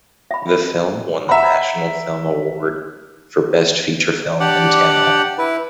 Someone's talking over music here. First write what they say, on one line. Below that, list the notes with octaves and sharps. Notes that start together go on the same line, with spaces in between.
The film won the National Film Award for Best Feature Film in Tamil.
E5 B5
E5 F#5 A#5 B5
D4 G4 D5 F#5
E4 B4